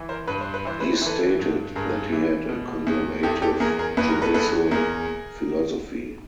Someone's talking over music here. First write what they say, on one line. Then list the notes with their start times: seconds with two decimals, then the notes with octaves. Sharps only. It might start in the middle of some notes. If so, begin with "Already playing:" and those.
He stated that he had a conservative judicial philosophy.
Already playing: E3
0.09 A#4 C5
0.27 G2 B4
0.41 C5
0.54 B4
0.65 E3 C5
0.80 B4
0.93 C5
1.02 E3 A4 B4
1.39 G2
1.75 G2 G#4 A#4
2.13 E3
2.49 B2
2.87 E2
3.23 E2 G4 A4
3.42 G4 A4
3.60 E2 G#4 A#4
3.79 G#4 A#4
3.97 E2 B4
4.10 A#4
4.22 A4 B4
4.34 E2 A4 B4
4.71 E2 G#4 A#4